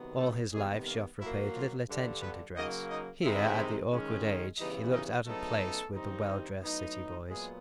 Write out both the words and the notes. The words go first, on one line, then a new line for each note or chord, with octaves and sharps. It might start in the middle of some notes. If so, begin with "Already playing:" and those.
All his life Joffre paid little attention to dress. Here at the awkward age he looked out of place with the well-dressed city boys.
Already playing: C3 D#3 F#3 B3
A3 A4
C3 D#3 G3 G#3 B3 G#4
A#3 A#4
A#2 F#3 A#3 E4
F3 F4
G2 D3 G3
B3 B4
C#3 F#3 A#3 D#4 D#5
D#4 D#5
C3 D#3 G#3 C4 D#4 E4 E5
D#3 G#3 C#4
C#3 E3 G3 B3 D#4 D#5
D#4 D#5
C#3 F#3 A3 B3 D#4 A4
G2 D#3 G3 C4 D#4
A2 F#3 B3 D#4
A#2 F#3 G#3 B3 G#4